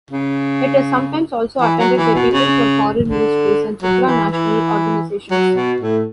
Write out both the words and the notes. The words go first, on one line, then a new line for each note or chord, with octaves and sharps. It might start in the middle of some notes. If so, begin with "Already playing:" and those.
It is sometimes also attended by people from foreign ministries and supranational organisations.
C#3
E3
F#3
E3
B2
C#3
D3
F#3
E3
E3
F#3
B2
A2